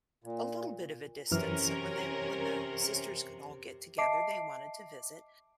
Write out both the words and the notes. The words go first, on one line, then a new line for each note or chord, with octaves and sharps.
a little bit of a distance, so when they when the sisters could all get together, they wanted to visit,
A#2
F#2 C3 E3 C#4 A#4 F6
D#5 E5 A5 D6 C7 D7